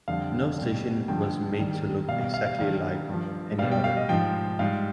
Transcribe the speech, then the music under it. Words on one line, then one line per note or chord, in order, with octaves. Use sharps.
No station was made to look exactly like any other.
F2 D3 G3 F5
B2 G3
G2 D3 F3 G5
G#2 D#3 G3
B2 G3 F5
F5
F5
F5
G2 D#3 G3 F5
G2 F3
B2 G3 F5
G5
F5
D#5
G#2 F3 G5
G#2 G3 F5